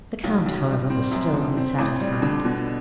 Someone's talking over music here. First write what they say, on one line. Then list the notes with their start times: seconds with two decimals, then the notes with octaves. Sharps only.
The Count, however, was still unsatisfied.
0.24 B1
0.46 B1
0.68 G3
0.90 C4
1.11 F#2
1.34 D3
1.57 C4
1.79 A1
2.00 G3
2.22 D3
2.45 B2